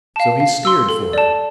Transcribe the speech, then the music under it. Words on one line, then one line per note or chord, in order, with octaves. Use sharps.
So he steered for it.
F5 A5
F5
C6 E6
A4
D5 A5